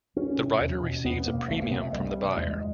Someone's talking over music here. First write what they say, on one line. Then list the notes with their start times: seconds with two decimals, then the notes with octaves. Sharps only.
The writer receives a premium from the buyer.
0.16 C2 C#4
0.38 C3
0.60 E2
0.82 B2
1.05 E2 B3
1.26 B2 A#3
1.48 C2 A3
1.60 A#3
1.71 C3 B3
1.82 A3
1.92 C2 G3
2.14 C3
2.37 E2 G#3